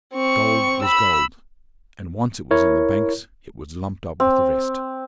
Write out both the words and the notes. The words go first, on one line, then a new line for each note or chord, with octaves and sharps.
Gold was gold, and once it was in the banks it was lumped up with the rest.
C4 C#6
B5 E6
E4 A#4 C#5
C4